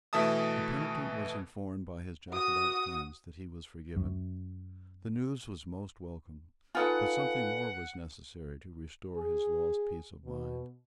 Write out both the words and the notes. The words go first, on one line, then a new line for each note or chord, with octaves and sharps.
The penitent was informed by his Jacobite friends that he was forgiven. The news was most welcome; but something more was necessary to restore his lost peace of mind.
B2 E3 A3 E5 A5 D#6
F#4 D#6
F#2
D#4 F4 A4 B4 F#5 G#5
G#4
B2